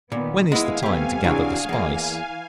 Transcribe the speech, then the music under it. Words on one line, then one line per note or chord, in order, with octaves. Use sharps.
When is the time to gather the spice?
A#2 D#3 B3
G#3 A#3 B3 E4 F5 G#5
C3 G3 A3 B3 G4
C3 E3 F#3 D4 F#4 G#4
E2 E3 A#3